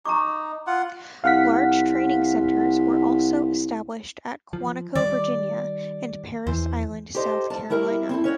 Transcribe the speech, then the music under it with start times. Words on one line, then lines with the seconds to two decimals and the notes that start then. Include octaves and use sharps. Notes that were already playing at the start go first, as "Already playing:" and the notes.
Large training centers were also established at Quantico, Virginia, and Parris Island, South Carolina.
0.06 D#4 A#5 C#6 D6
0.67 F4 F#5
1.24 C2 F5 F#5 B6
4.53 F3
4.95 D#3 G3 D5
6.47 E2 E3 C5
7.15 G4 A4 C5 D#5
7.50 G2 A5
7.70 G3 E4 G4 A#4 E5
8.09 C4 E4 A4
8.24 C#4 C#5 D#5 F#5